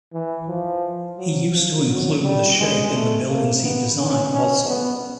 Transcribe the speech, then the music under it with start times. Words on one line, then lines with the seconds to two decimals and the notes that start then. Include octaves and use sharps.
He used to include the shape in the buildings he designed also.
0.13 E3
0.48 F3
1.17 F#3
1.52 F3
1.88 F#3
2.23 G3
2.58 G#3
2.92 A3
3.28 A#3
3.63 B3
3.97 C#4
4.34 C#4
4.69 B3